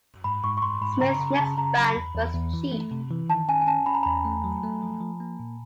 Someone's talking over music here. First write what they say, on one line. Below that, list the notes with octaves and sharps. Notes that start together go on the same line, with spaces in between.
Smith's next band was Cheap.
G#2 B5
G#2 C#6
C#6
G#2 C6
G#2 B5
C#3 A#5
C#3 A#5
C#3 A5
C#3 A#5
F#3 B5
E2
E2
E2
E3
A3
C3
E3
D#3 A5
C#4 G#5
G#5
C#4 A5
C#4 B5
A#5
E2 B5
A3
F#3
A3
F3
F3
A#3
A#2